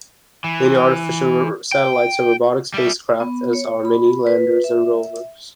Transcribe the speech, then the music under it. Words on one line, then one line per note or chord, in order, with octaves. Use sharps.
Many artificial satellites are robotic spacecraft, as are many landers and rovers.
E3
G5
G3 E5
B3
C#5
B5
B4
E5